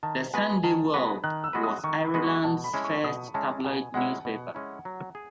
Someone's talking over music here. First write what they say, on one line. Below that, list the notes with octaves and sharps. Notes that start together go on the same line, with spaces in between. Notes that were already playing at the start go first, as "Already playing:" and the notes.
The "Sunday World" was Ireland's first tabloid newspaper.
D#3 A5
G#3 B3 F#4 B4 G#5
D#3 A5
G#3 B3 F#4 B4 B5
D#3 F#6
E6
G#3 B3 F#4 B4
D#6
D#3 C#6
B5
G#3 B3 F#4 B4
C#6
B2 A5
B5
G#3 C#4 E4
C#6
B2 D#6
G#3 C#4 E4 A5
B2 G#5
G#3 C#4 E4 F#5
B2
G#3 C#4 E4
F#3
G#4